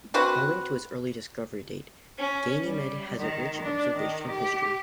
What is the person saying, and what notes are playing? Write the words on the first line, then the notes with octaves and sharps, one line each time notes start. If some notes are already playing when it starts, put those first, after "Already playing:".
Owing to its early discovery date, Ganymed has a rich observational history.
C4 F#4 B4 F#5
C#4
G3
D#3
D4
D#3
G4